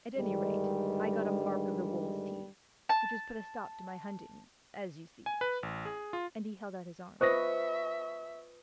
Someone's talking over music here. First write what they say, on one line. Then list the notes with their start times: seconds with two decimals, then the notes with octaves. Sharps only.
"At any rate, I got a mark of the wolves' teeth, which has put a stop to my hunting, as you see," and he held out his arm.
0.17 G2 D3 D#3 G3 G#3
2.89 A5
5.26 G#5
5.41 B4
5.63 A1
5.85 G#4
6.13 F4
7.21 F4 B4 C5 D#5 E5 C#6 D#6 A#6